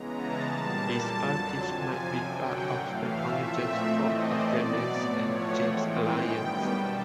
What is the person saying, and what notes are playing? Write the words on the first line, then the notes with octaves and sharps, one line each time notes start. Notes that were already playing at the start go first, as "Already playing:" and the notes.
These parties might be part of the Convergence for Alternance and Change alliance.
Already playing: C#3 E3 G#3 B3 A#5
A5
A#2 G3 A#3
F2 D3 F#3
F2 C3 F3 G#5
F#2 D3 F#3 G5
F#5
A2 E3 A3 F5
E5
A#2 F3 A3 C4
A2 E3 A3 C4 D#5
D5
B2 F#3 B3 D5
A2 F3 A3 C#5
F#5
A2 E3 G#3 C4 G5
F#2 D#3 G3 B3
B2 G3 A#3 A5